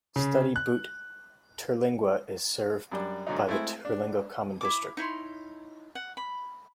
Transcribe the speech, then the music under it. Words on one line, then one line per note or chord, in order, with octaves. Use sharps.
Study Butte-Terlingua is served by the Terlingua Common School District.
C#3
F#6
F#2 G3 D4
G#2 D3 F#3 D#4
G#3 A3 C4 E4
D4
E4 A4 D6
D#4 E4 C#5 C6
F#5
B5